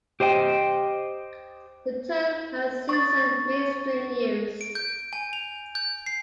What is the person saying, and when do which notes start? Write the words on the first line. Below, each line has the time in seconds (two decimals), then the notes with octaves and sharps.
The term has since seen mainstream use.
0.20 G4 C5 D#5 G5
2.89 C#6 D#6 A6
4.61 D7
4.75 G6
5.13 G#5
5.33 F7
5.75 G6
6.06 C7